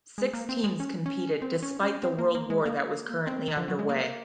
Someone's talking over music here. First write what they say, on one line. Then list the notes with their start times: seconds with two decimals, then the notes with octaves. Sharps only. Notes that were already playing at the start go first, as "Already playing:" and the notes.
Six teams competed despite the World War that was currently under way.
0.18 G#3
0.34 A#3
0.49 C4
0.64 G#3
0.80 C#4
1.06 C#4
1.42 C4
1.63 C#4
1.83 C#4
2.03 C4
2.18 A#3
2.35 A#3
2.50 G#3
2.66 A#3
3.27 C4
3.48 D#3
3.57 F3
3.68 F#3
3.79 G#3
3.89 A#3